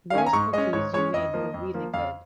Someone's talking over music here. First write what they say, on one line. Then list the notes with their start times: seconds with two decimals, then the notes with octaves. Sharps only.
Those cookies you made were really good.
0.10 F5
0.13 D#3 C#4 G#5
0.26 A#5
0.33 G#2 C#6
0.53 G#3 C#4 D#5
0.73 G#2 C#5
0.93 G#3 C#4 C#5
1.13 F2 D#5
1.33 F3 A#3
1.54 F2
1.74 F3 A#3
1.94 F2 F5